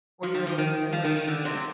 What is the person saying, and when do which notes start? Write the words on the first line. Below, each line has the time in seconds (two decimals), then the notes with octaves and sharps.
Or your own memory. Yeah.
0.23 F3
0.34 D#3
0.47 D#3
0.58 D#3
0.93 F3
1.04 D#3
1.16 D#3
1.28 D3
1.45 C3